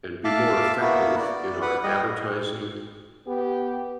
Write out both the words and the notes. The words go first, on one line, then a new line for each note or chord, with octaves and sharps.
and be more effective in our advertising
E5 F5 A5 D6
A#3 B3 E4 F#4
D5
B4 F#5
G3 D#5
B3 G4